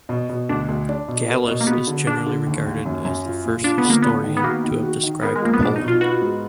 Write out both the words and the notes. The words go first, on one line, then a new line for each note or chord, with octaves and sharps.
"Gallus" is generally regarded as the first historian to have described Poland.
B2
B2
D2 D4
D2
D4
B2
A#4
B2
A#3
B3 F#4
D3
D3 D4
D3
D#2
D#2
F#2
F#2
F4
A#2
D4 F4
B3
D3
A#3
B3 D4
D#3
B3
A#3 F#4
D#3
F#4
D#3
B3 A#4
G#3
F3 A#3
B3
B2 D4
D#4
B2
F4
B3 F#4
G#2